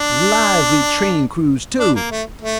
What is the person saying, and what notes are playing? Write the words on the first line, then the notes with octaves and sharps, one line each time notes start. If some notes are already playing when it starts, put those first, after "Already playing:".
Lively train crews, too.
Already playing: D4
D4
A#3
A3
A3